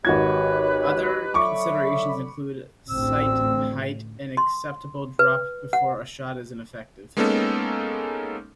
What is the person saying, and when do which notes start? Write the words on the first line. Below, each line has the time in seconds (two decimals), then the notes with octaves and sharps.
Other considerations include sight height and acceptable drop before a shot is ineffective.
0.05 G#1 D#4 F#4 G4 B4 C#5 G#6
1.34 D3 F#3 E5 B5 C#6 D6
2.90 A1 D2 C4 E6
4.37 C6
5.19 B4
5.73 F#5
7.17 G#3 A#3 B3 C#4 D#4 A4